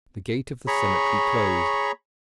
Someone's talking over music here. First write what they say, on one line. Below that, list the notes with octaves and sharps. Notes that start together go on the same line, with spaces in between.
The gate of the cemetery closed.
G#4 C#5 A#5 B5 C#6